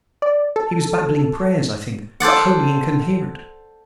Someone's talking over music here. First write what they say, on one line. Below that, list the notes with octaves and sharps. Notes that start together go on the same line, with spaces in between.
He was babbling--prayers, I think, but wholly incoherent.
D5
A4
A4 C5 D5 F#5